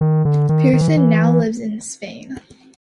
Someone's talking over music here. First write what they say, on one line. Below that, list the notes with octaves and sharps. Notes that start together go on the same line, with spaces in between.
Pearson now lives in Spain.
D#3
D3
D#3
D#3
E3
D#3
E3